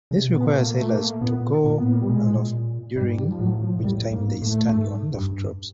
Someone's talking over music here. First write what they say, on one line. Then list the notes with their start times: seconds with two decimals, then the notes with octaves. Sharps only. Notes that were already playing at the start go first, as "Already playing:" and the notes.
This requires sailors to go aloft, during which time they stand on the footropes.
0.11 C#3
0.20 C3
0.27 B2
0.34 A#2 B3
0.45 A#3
0.55 A3
0.66 A#3
0.77 A3
0.89 A#3
0.98 A3
1.21 A#2 B3
1.65 A#2 A#3
1.79 A2 B3
1.92 A#2 A#3
2.01 G3
2.08 B2 G#3
2.17 A#2
2.27 A2
2.36 A#2
2.96 G#2 G3
3.17 G3
3.31 F3
3.39 A2 F#3
3.62 F3
3.79 A#2
3.83 A2 G3
4.12 G#2 A#3
4.42 A2 A3
4.71 G#2
5.14 G2